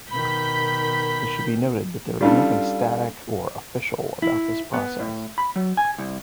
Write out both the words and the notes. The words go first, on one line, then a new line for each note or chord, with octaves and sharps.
It should be noted that there is nothing static or "official" about this process.
B2 D#3 B5 G6 B6
G3 C#4 D4 E4 F4 A4
E4
B3
A2
B5
F#3
G#5
C2